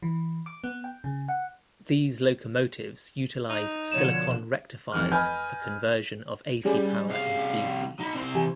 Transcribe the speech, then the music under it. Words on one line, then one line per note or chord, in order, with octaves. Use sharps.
These locomotives utilise silicon rectifiers for conversion of ac power into dc.
E3
D6
B3
G5
C#3
F#5
D#4
B2 D3 F3 C#5 E7
F1 F2 D#3 E3 F6
B4 D#5 G#5 F6 G6
G3 C#4 G4 G#4
C2 F5
D#4 B5
C2 C4
E3 G4 G#5